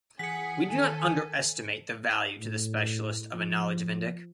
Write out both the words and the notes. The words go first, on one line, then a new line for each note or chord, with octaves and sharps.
We do not underestimate the value to the specialist of a knowledge of Indic.
E3 G#4 F#5 G#5 B6 C#7
D#3 A4 G#5
A2
F3